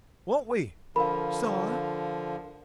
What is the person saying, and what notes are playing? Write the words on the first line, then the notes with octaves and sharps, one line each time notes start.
Won't we--Star?
D3 F3 A#4 F5 B5